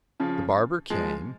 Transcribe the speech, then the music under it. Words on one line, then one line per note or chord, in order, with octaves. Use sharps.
The barber came.
C#3 F3
F3 G#3